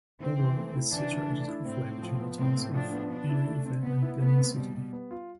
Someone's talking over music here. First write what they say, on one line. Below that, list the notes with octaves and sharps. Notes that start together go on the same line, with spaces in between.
Owo is situated halfway between the towns of Ile Ife and Benin City.
E3 C4
E3
A3
E4
E3 D4
E3
A3
E4
A2 C4
A2
F3
B3
A2 C4
A2
F3 D4
B3
B2 D4
E4
A3
C4
B2 B3
E4
A3 B3
C4
B2 G3
B2
B3
F4